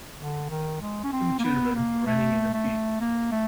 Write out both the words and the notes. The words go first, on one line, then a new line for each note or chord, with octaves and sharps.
Two children running in a field.
D3
D#3
G#3
C#4
C4
A#3
B3
A#3
A3
A3
A#3
A3